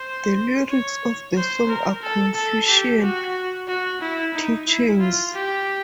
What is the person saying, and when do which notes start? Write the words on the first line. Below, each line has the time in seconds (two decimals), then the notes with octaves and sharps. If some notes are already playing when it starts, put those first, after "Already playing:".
The lyrics of the song are Confucian teachings.
Already playing: C5
0.70 C#5
1.36 C5
1.69 A#4
2.02 A4
2.35 A4
2.68 G4
3.02 F#4
3.67 F#4
4.01 E4
4.34 D#4
4.67 E4
5.00 F4
5.33 G4